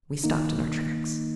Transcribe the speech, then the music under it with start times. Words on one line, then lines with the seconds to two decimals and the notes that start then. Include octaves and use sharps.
We stopped in our tracks.
0.24 D#3 A#3 D#4